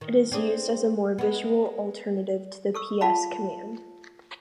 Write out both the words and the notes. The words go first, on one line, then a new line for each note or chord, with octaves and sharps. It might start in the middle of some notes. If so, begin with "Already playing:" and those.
It is used as a more visual alternative to the ps command.
D#3
C4 D4 G#4
G#3 B3
A4 C#6 E6
F4 F5 A5 B5